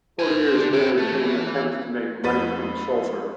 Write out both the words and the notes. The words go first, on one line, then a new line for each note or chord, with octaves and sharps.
Forty years later came attempts to make money from sulphur.
C5 G#5
D3
E4 G5
A3
E3
F2 B4 C5 A6 D#7